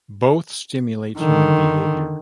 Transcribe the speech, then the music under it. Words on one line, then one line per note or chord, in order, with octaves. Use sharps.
Both stimulate human behavior.
D3 D#3